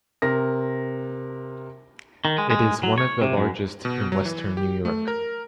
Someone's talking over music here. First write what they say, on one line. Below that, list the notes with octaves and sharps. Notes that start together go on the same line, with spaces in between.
It is one of the largest in Western New York.
C3 A#4 A#6
D#3
G#3
G#3
F#3
C#5
C3
F#2
B2
F#3
E3
G4
A3
A#4